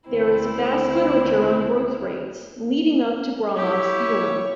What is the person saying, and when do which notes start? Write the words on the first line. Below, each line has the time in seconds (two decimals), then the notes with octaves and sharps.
There is a vast literature on growth rates, leading up to Gromov's theorem.
0.10 D2 C4 E4
3.56 E4 G4 C#5